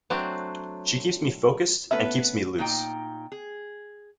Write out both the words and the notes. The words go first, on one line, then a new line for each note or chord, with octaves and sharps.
She keeps me focused and keeps me loose.
F#3 A3 C4 D4 F#4
A3 B3 C#4 B4 E5
A#2 D#4 G5
G#4